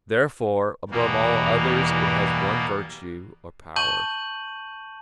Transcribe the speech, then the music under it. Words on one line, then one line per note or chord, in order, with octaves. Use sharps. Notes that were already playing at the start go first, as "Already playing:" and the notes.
Therefore above all others it has one virtue or power.
E2 B2 E3 G3 A#3
A5 C#6 G6 D#7 F#7